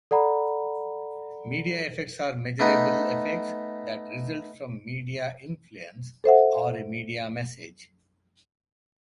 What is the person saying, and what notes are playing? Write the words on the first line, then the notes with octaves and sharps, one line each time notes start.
Media effects are measurable effects that result from media influence, or a media message.
A4 D5 F#5 A#5 B5
A3 B3 D#4
A4 C5 E5 F#5